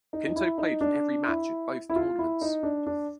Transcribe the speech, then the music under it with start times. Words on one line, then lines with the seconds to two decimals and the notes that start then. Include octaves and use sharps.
Pinto played in every match at both tournaments.
0.13 D#4
0.27 D#4
0.36 E4
0.58 D#4
0.81 D4
1.27 E4
1.90 E4
1.96 F4
2.19 E4
2.42 D#4
2.63 D4
2.87 D4